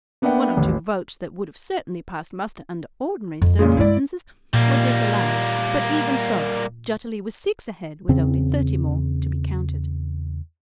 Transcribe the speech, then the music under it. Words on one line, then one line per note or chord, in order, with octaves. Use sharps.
One or two votes that would have certainly passed muster under ordinary circumstances were disallowed, but even so Jutterly was six ahead with only thirty more to be counted.
A#3 B3 D4 E5 F#5 G5
A1 D#2 A2
F2
A#2 C#3 G#3
G2 G#3 E4 D5
A#2 G3 A#3
E2 C#3 C4